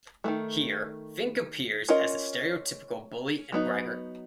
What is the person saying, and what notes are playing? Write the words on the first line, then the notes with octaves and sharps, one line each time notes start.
Here, Fink appears as the stereotypical bully and braggart.
D#3 F#3 A3
C#4 F4 A#4 D#5
F#3 B3 D#4